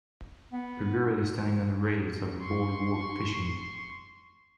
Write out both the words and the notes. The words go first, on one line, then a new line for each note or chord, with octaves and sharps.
A girl is standing on the rails of a boardwalk, fishing.
B3
C6 C#6